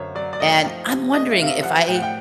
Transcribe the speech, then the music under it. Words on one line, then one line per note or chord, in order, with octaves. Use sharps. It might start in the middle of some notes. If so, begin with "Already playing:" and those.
and I'm wondering if I
Already playing: F#2 D3 C5 C#5
F#3 D5
D5
A3 D#5
F3
C3
A3 D#5
E5
C3 F5
E5
F3 F#5
A2 G5
F#5
G5